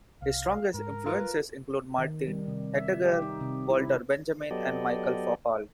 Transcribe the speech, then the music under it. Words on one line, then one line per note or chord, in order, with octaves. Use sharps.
His strongest influences include Martin Heidegger, Walter Benjamin and Michel Foucault.
C2 F5
G#2 A#4
F4 B4
D#3
G3
C3
E5
G4
D#4
C3
E4
F#3 B3 G4 A4 D5 D#5